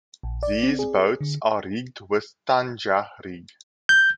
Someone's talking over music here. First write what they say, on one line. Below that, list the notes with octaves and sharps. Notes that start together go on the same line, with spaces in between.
These boats are rigged with tanja rig.
A#1
D5
C4
G#4
D3
G6